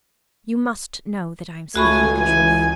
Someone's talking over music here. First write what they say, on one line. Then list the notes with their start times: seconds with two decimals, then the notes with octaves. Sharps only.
You must know that I am speaking the truth.
1.76 C#2 A3 F#4 G#5 B5 C#6
2.19 E3 G#5